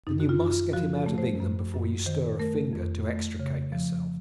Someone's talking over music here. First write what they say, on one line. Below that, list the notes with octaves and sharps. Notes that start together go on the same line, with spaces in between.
Then you must get him out of England before you stir a finger to extricate yourself.
F#2 D#4
F#4
F4
F#2
F4
F3 F#4
A4
A3
C5
F#2
F#2
D#3 C5
A3 A#4
F2
A3
C#3
F3